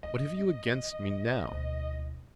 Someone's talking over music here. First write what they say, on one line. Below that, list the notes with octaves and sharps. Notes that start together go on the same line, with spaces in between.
What have you against me now?
G#1 E2 D#5
E1 D2 E4